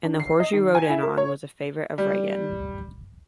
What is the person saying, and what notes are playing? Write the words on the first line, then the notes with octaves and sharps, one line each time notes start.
"And the horse you rode in on" was a favorite of Regan.
D4
C7
D#5
D#3
G#5
E4
A#4
C#5
G3